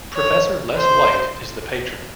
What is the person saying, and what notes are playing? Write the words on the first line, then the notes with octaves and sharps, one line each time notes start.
Professor Les White is the Patron.
C#5
C5